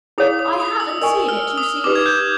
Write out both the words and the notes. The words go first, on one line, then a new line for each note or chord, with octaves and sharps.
"I haven't seen it, you see."
E4 G#4 C#5 F5 D#6
D#6
D#6
E6
A#4 D#5 G#5 C#6 E6
F6
D#6
D#4 G4 B4 D6
G#6
G6